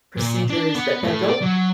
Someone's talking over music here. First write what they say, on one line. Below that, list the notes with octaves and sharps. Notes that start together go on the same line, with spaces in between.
procedures that that don't
A#2
D4
B3
A3 E4
D5
F#3